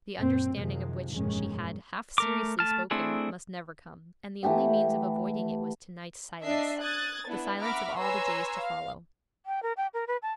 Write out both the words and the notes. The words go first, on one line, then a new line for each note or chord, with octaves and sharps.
The understanding of which she had half-seriously spoken must never come, and the only means of avoiding it was to-night's silence, the silence of all the days to follow.
F#2 A#2 C4
F#2 C3 D#3 F3 G#3
G1 F2 A#2 D#3 G#3 C#4
A3 A#4 D6
A3 A5 F6
A3 C4 D4 E4 G#4
E3 A3 G4 F#5
D4 D#5 E5 C7
D#6 F#6 G#6 A6
B3 D4 E4
E5 F#5 A#5 B5 D6 F6
B4 C#5 G#5 A#5 C6 E6
F5
G5
A#4
G5
A#4
B4
A5